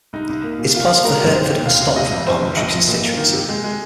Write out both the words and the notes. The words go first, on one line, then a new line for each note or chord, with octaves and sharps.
It is part of the Hertford and Stortford Parliamentary Constituency.
C2 D#4
C2
A#3
A#2
A#3 F4
A#3
G#2 A#4
G#2
D#2 C5
D#2
D#2 F5
D#2 F5
C3 D#5
F2
F1 C5
F1
A#1 D#5
F3
A#2
A#3
D#3
C3
G#3
G#3